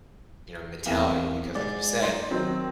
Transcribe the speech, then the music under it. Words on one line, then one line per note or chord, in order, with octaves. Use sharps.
you know, mentality because like you said,
E2 A#3 C4
G#2 D5
D#4 C6
D#3 F#3 C4